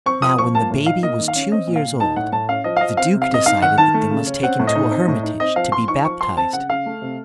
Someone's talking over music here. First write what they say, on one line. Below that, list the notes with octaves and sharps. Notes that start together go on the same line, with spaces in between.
Now when the baby was two years old, the duke decided that they must take him to a hermitage to be baptized.
C4 C#6
F3 D#6
F3 C#6
A#3 A5
A2
D#4 F5
A#3 D#5
D#3
F5
C#4
C4 D#5
A#2
F5
A#2
D#4 A5
A2 F#5
A2 A5
C#4 F5
F3 D#5
F5
F3 D#5
C4 F5
C3
F5
C3 D#5
D#4 F5
D#3 F#5
D#3 A5
A3
C#3
C#4
C4 F#5
A2
D#5
D#4
C4
A2
D#4
C4 D#5
F3 F5
F3 C6
D#4 C#6
F3 C#6
F3 C6
C4 A5
C#3 F#5
C#3 F5
A3
C3